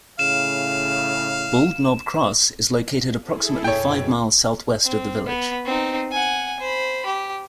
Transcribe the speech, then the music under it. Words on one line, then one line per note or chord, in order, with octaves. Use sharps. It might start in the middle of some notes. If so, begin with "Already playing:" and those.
Bald Knob Cross is located approximately five miles southwest of the village.
A2 C#3 F5 E7
E4 G#4 A4
F#2 B2 C#5 G5
C4
B3
C4 D#4
F#5 G#5
C5 B5
G4